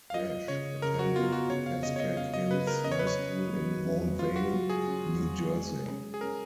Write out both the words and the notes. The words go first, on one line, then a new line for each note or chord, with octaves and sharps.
Bash attended Pascack Hills High School in Montvale, New Jersey.
F5
F4 D#5
C#3 C#5
C#3 A#4
F#4
B3 F4
F#4
C#3 C#5
F5
C#3 D#5
C#5
D#5
C#3 F5
D#5
C#3 B4
A#4
C#4 D#5
C#5
B4
C#5
C#4
F#3
C#4
F#3 F4
F#4
F#3
G#4
C#4
F#3
G#3
C#4
G#4
C#4 A#4